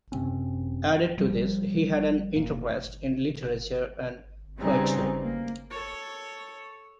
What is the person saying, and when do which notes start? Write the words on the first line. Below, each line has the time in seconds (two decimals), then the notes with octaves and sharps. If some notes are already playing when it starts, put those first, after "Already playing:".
Added to this, he had an interest in literature and poetry.
0.12 F#2 C3 C4 C#4
1.18 F3 G3
2.36 F1 A#2
4.59 C#3 E3 G3 C4 D#4 G#4
5.23 A#3
5.71 A4 C#5